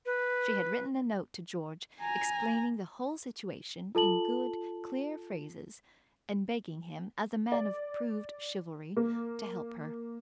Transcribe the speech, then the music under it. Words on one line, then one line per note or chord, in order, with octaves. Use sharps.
She had written a note to George, explaining the whole situation in good, clear phrases and begging him as a man of proved chivalry to help her.
B4
G#5 A#5
F4 A4 A5 F#7
D5
A#3